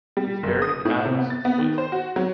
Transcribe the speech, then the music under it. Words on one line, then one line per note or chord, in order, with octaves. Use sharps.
He is buried in Aberystwyth.
G3
F#1
D#6
A2
C3
B3
A6
B3
D#3
C5
F#4
F#3